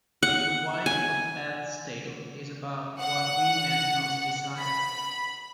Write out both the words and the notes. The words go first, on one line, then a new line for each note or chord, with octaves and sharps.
"The Wife of Bath's Tale" is about 'What women most desire'.
F#5
G#5
F#5
B5